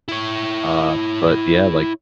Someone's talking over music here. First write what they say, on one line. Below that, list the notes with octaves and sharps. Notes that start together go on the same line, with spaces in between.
Uh, but yeah, like
E4 C#5